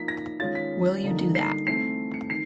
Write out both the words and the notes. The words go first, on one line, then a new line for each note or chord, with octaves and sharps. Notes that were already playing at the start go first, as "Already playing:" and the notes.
Will you do that?
Already playing: F3 A#3 D#4 B6
A#6
D#3 G#3 C#4 F4 A6
B6
D3 G3 A#3 D#4
C7
E3 A3 C4 C7
C#7
D#3 C7